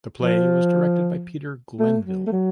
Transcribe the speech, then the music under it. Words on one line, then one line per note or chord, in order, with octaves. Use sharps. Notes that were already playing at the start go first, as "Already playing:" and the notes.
The play was directed by Peter Glenville.
F3
A3
F#3
A3
F#3